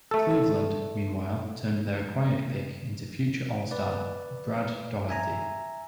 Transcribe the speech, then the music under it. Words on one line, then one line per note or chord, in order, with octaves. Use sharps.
Cleveland, meanwhile, turned their acquired pick into future All-Star Brad Daugherty.
A3 A4
B4 D5
E5 G#5 A#5